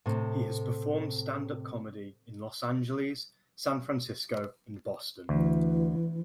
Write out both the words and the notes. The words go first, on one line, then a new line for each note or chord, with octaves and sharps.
He has performed stand-up comedy in Los Angeles, San Francisco, and Boston.
A2 C3
D2 E3